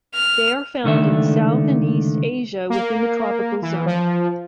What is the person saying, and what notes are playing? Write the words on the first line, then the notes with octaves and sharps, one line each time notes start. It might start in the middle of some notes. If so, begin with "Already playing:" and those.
They are found in south and east Asia within the tropical zone.
F6
C#2 D3 D#3 A3 E5
A#3
E3
F3